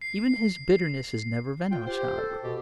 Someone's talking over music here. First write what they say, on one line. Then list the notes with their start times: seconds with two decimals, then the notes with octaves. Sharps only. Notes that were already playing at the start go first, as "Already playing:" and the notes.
Even his bitterness is never venomous, however.
0.02 C7
1.71 F4 G5
1.86 G4 C5
2.16 A4
2.44 B2 G4